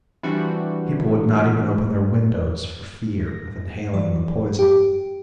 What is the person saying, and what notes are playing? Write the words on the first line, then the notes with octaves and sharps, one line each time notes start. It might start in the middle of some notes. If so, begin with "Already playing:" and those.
People would not even open their windows for fear of inhaling the poison.
E3 G3 C4 D4 F#4
A#6
E3 F#3 D5
G4